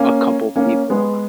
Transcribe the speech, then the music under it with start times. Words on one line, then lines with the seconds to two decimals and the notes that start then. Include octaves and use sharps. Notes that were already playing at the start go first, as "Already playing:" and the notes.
a couple people,
Already playing: A#3 C#4
0.56 A#3 C#4
0.90 G#3 B3